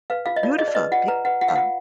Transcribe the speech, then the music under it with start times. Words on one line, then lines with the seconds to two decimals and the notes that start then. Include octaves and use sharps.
Beautiful, beautiful.
0.10 B4 F5
0.26 F4 F5
0.36 D#5
0.43 F4 D5
0.58 G#4 D#5
0.68 D5
0.75 B4 D#5
0.92 F4 F#5
1.08 B4 A#5
1.25 B4 F#5
1.41 F4 F#5
1.48 F5
1.56 F4 F#5